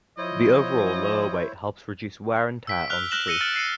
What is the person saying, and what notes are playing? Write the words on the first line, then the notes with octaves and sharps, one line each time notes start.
The overall lower weight helps reduce wear and tear on streets.
F3 E4 C5 C#5 D#5
E6 B6 D7
F6 F#6 F7 G7
F6 F#6 A#6 E7 F#7 G7
E6 A#6 C#7 D#7 G7
F6 A6 C#7 D7 F#7
C7 C#7 D#7